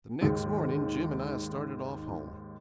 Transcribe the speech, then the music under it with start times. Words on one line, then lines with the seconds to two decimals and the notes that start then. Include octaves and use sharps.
The next morning Jim and I started off home.
0.21 D#2 G#2